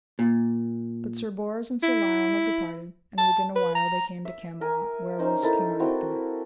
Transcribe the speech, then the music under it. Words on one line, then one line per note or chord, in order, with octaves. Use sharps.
But Sir Bors and Sir Lionel departed, and within a while they came to Camelot, where was King Arthur.
A#2
E4
A5
B4
A#5
E5
A#4 G#5
C#4 D#4 C5
D#4 E4 A4 A#4
C4 E4 F#4 D#5